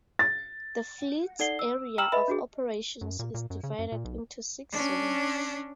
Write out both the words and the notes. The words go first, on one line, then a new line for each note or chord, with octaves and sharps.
The fleet's area of operations is divided into six zones.
A6
D#4 A4 D5 F#5 C7 G7
E6
G5 A#5 E6 F6 E7 F#7
B4 D#5 E5 B5
D4 F#4 G#4
F#2
A#2
A#2
F#2
C#3
F#2
A#2
B1
C#4 D4